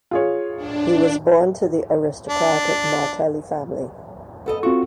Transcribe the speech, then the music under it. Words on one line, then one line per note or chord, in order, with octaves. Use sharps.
He was born to the aristocratic Martelli family.
F4 G#4 C#5
D4
D4
B3 A4 D#5
C4 F4 F#4 C#6